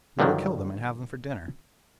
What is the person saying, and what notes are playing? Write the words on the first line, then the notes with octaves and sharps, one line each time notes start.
We will kill them and have them for dinner.'
G2 D3 D#3 F3 F#3